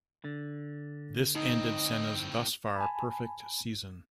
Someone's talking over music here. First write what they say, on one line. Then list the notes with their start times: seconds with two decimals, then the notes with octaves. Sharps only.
This ended Senna's thus far perfect season.
0.24 D3
1.35 A2 C4 D#4 D#5
2.76 G#5 A5 B5